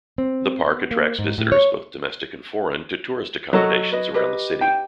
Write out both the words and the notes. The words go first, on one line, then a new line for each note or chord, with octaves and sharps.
The park attracts visitors both domestic and foreign to tourist accommodations around the city.
C4
B3
A#3
G#2
A2
C#5
F#3 F#4 A4 D#5
B4 D#5
G4 B4 D#5
G5